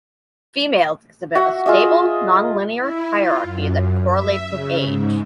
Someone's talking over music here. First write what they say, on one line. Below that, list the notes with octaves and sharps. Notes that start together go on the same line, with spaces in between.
Females exhibit a stable, nonlinear hierarchy that correlates with age.
F#4 E5 F#5
F4 G#4 D#5 E5
E4
F4
F#2
E5
C#3
G#2